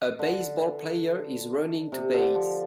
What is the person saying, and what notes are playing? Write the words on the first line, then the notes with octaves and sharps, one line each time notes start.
A baseball player is running to base.
D3
C3
D3
F3